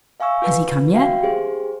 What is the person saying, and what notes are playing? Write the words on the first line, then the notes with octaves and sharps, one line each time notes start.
"Has he come yet?"
E5 F5 G#5 C#6 E6
F4 B4
F#4 E5 F5 G5
G4 G#4 C5